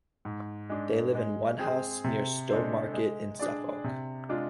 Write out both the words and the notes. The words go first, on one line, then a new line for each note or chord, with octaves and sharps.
They live in Onehouse near Stowmarket in Suffolk.
G#2
G#3 D4
G#3
C4 G#4
C3
G#3 D4 A4 C5
G#3
D4 G#4 D5
C3
G#3 D4 F4